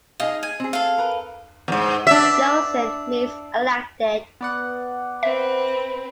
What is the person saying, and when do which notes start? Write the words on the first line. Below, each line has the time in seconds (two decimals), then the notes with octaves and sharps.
"Chosen" means elected.
0.20 D#4 G#4 D#5 F5
0.43 G#5
0.60 C4 G#4
0.73 A4 F5
0.98 A#4 B4
1.68 E2 G#2
2.07 D4 E5
4.41 B3 D5 F#5
5.23 C4 B4 E5